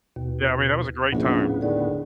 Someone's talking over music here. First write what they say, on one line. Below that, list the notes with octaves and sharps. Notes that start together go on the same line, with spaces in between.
Yeah, I mean, that was a great time.
D#2 B2
A#1 A2 C#3 B3
D3 D#3 G#4 D5